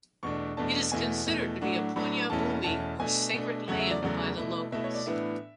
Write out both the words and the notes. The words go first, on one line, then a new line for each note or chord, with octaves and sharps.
It is considered to be a 'Punya Bhumi' or 'Sacred Land' by the locals.
E2 B2 A3 D4 C#6
E2 B2 A3 D4 A5
E2 B2 A3 E4 G#5
E2 B2 A3 E4
A2 F#3 A3 D4 F#5
A2 F#3 A3 D4 B5
E2 B2 A3 C#4 E4 A5
E2 B2 A3 C#4 E4 A5
B2 A3 D4 G#5
B2 A3 D4
E2 C#3 F#3 A3 F#5
E5
D5
E2 C#3 F#3 A3 D5
B2 A3 E4
B2 A3 E4 E5
C#5
D5
A2 E3 B3 D4 E5